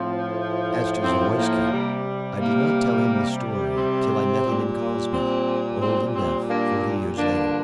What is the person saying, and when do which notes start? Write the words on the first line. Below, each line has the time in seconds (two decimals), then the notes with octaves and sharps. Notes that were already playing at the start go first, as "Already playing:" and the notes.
As to Zawoiski, I did not tell him the story till I met him in Carlsbad, old and deaf, forty years later.
Already playing: A2 F3 C4
1.03 C4
1.37 A#3
1.71 C3 G3
2.39 A#3
3.76 C4
4.44 A#2 G3
5.12 C4
5.80 C4
6.14 C4
6.48 A#3 D4
7.17 G2 D3 F3 A#3 D4